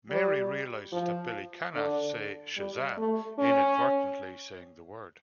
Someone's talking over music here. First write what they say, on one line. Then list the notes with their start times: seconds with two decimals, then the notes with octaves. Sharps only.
Mary realizes that Billy cannot say Shazam, inadvertently saying the word.
0.10 G3
0.92 F3
1.75 D3
2.57 G3
2.97 A3
3.39 C#4